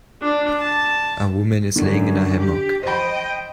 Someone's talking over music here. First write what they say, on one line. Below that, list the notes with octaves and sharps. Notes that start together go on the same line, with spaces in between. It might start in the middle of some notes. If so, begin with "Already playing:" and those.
A woman is laying in a hammock.
D4
A5
F#2 D3
G4
C5 D#5 G5 B5